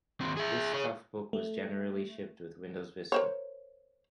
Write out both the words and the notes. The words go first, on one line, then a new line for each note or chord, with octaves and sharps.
This Toughbook was generally shipped with Windows Vista.
D#2 C4
G#4 E5
G#4 C#5
A3
A#4 C5 C#5